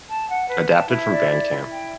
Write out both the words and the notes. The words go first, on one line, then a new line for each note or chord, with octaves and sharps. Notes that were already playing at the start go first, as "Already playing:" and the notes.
Adapted from Bandcamp.
A5
F#5
B4
A5
E4
D5
E4
E4
G5